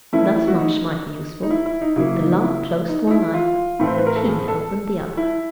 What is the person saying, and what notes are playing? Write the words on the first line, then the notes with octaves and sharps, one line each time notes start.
Thus much might be useful--the law closed one eye, the king opened the other.
E3 A3 C#4 E4
E4
E4
F#4
D#4
D#4
E4
E4
D#4
C#3 F#3 A#3 E4
D#4
E4
D#4
D#4
E4
F4
A2 E3 A3 C4
C5
B4
A#4
A4
G#4
A4
E4